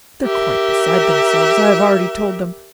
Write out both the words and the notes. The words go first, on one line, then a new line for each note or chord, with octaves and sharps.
"They're quite beside themselves; I have already told them..."
G4 A#4 E5